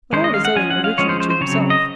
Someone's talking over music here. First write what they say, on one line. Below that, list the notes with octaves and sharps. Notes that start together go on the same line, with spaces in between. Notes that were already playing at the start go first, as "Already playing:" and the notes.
But all is owing originally to himself.
D#3 G#3 C#4 C5
D#5
F5
F#5
F3 G#3 C#4 G#5
F#5
F5
F3 G#3 C#4 C#5
C5
C5
C5
C#3 F#3 C4 C#5
D#5